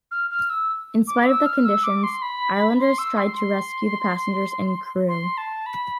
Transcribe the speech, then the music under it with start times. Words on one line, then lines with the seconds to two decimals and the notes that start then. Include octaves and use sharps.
In spite of the conditions, islanders tried to rescue the passengers and crew.
0.11 F6
0.31 F6
0.50 E6
1.07 D6
1.26 E6
1.45 F6
1.65 E6
1.83 D6
2.03 C6
2.22 B5
2.80 C6
2.98 E6
3.17 C6
3.37 C6
5.08 C6
5.37 A5
5.66 B5